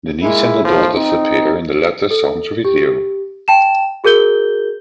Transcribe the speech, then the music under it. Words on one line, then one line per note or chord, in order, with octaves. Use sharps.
Denise and their daughters appear in the latter song's video.
G#3 A#3 E4
B1 A2 F3
C4 D#4
A4
G4
G5 A5 E7
F#4 G#4 A#4 G6 G7